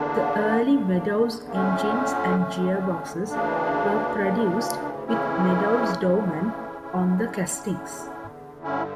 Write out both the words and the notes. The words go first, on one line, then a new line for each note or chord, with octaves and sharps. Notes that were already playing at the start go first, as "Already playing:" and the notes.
The early Meadows engines and gearboxes were produced with Meadows-Dorman on the castings.
Already playing: E2 D3 A#3 D4
E2 D3
A#3
F2 D3 A3 C#4
F2 D3
D2 C#3 E3 A#3 D4
D2 C#3 E3
F2 C#3 E3 C#4 E4
F2 C#3 E3
E2 D3
E2 D3
G2 D3 C#4 E4